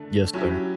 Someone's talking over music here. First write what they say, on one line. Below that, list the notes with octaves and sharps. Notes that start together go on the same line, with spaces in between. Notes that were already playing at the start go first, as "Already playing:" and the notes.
Yes, sir.
Already playing: D3 A3 D4
F#3 C#4 E4 G4